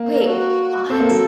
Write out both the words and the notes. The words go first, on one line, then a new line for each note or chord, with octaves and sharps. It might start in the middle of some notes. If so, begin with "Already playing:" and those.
Wait. What?
Already playing: A#3
A#4
A4
F#4
C4 A4
A#3
F#3